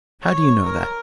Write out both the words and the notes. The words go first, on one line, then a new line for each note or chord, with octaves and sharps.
How do you know that?'
C#5
A#4